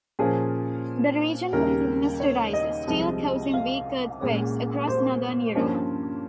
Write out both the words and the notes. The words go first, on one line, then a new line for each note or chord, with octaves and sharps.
The region continues to rise, still causing weak earthquakes across Northern Europe.
A#2 F3 A#3 C#4 G#4
D#2 C#3 G3 A#3 C#4 A#4
C#5
D#5
C2 C3 F3 G#3
F5
A#2 G#3 C#4
C5
G2 F3 A#3 C#4